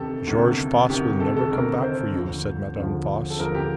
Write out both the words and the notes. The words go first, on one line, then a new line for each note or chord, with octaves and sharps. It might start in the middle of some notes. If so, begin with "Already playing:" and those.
'George Voss will never come back for you,' said Madame Voss.
Already playing: D2 C3 D#3 G4 A4
D2 C3 D#3
D2 C3 D#3 G4
A4
A4
D2 C3 D#3 A#4
C5
D#2 D3 F3
D#2 D3 F3
A4
D#2 D3 F3 A#4
G4